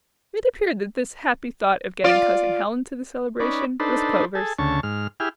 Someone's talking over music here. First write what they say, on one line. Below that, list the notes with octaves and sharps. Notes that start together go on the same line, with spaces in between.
It appeared that this happy thought of getting Cousin Helen to the "Celebration," was Clover's.
F4 D5
C#4 D#4 B4 D5
D4 D#4 A4 B4 C5
G#4 A4
D2 C#3 A5 C#6
G#2 F6
E4 G4 G#4 F6